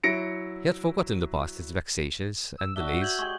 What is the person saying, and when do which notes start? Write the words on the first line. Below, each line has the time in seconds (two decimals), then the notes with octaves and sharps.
He had forgotten the past, its vexations and delays.
0.04 F#3 E4 A#6 C#7 D7
2.58 E6
2.76 D4 F#4 E5 G7
3.02 G6 G#6 F#7
3.19 G#3 G4 G#5 C#6